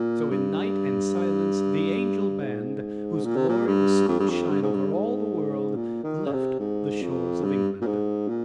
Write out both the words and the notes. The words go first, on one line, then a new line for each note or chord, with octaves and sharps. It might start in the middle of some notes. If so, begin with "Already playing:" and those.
So, in night and silence, the "Angel Band" whose glory was soon to shine over all the world, left the shores of England.
Already playing: A#2
G2
G#2
A#2
C3
A#2
G2
F2
G2
F2
G2
G#2
G2
G#2
A#2
D#3
C#3
C3
G#2
F2
G2
A#2
G#2
A#2